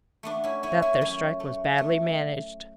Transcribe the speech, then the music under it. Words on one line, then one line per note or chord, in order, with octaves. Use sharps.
'That there strike was badly managed.
A3 B3 D4
C#4 E4
A3 C#4 E4
C#4 E4
F#2 C#4 E4
A3
A3